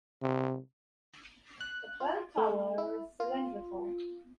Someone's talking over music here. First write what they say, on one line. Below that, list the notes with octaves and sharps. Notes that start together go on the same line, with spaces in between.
The bell tower is cylindrical.
C3
F#6
F4
A3
E4
F4